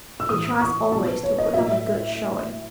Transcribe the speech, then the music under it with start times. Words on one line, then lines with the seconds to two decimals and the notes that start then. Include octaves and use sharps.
He tries always to put up a good showing.
0.20 E6
0.29 A2 E3 D#6
0.61 C#6
0.92 B2 F#3 A5
1.07 B4
1.23 C#5
1.38 D#5
1.54 A2 F#3 E5